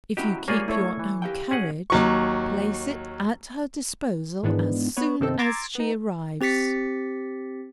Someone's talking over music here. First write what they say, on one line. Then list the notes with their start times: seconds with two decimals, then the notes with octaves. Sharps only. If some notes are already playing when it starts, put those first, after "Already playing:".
If you keep your own carriage, place it at her disposal as soon as she arrives.
0.17 C#4 E4 F#4 G4 D#5
0.48 G#3 A#3 F4 G4 G#4 C#5 D5
0.68 A3 E4 A4 C#5
0.99 E3
1.22 G4 F5 G5
1.51 C#4 G#4 F#5
1.90 D#2 F#3 C#6
4.43 G#2 D#3 E3 G#3 B3 D4
4.97 B3 B4 C#5
5.20 G1 C3 D#3 C4 D#4 A4
5.39 A#5 C6 D6 E6 G#6 A6
5.75 B3 D#4
6.41 C4 G4 A6 B6 C#7